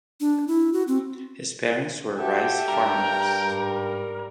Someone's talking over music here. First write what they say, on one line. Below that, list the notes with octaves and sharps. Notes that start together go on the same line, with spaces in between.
His parents were rice farmers.
D4
E4
F#4
C4
F#4 G4 A4 E5 G5
G2 A#4
G#2 G3